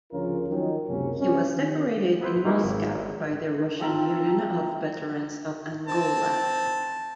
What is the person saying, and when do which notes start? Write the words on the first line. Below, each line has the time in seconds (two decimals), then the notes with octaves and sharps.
He was decorated in Moscow by the Russian Union of Veterans of Angola.
0.12 D2 C#3 F3 C#4 F4 A#4
0.49 D#3 F3 F#3 C#4 D#4
0.87 C#2 F#2 C3 A#3 C#4
1.19 G3 C4 C#4
1.56 D#3
2.21 B3 E4 B4 C5
2.45 D#3 E3 A#3 D#4 E4
2.65 G#1
3.79 F3 C4 A4 A#4
5.87 C4 A5